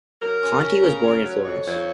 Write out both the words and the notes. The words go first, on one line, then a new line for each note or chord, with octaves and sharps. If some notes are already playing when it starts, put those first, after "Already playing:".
Conti was born in Florence.
F#3 A#4
C#4
C#4
C#3
C#4
F#3
F2 C#5
F2